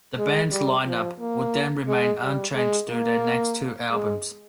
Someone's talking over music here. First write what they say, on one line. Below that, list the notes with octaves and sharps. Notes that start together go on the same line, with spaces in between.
The band's lineup would then remain unchanged through their next two albums.
G#3
G3
F3
A#3
G#3
G3
G#3
A#3
G#3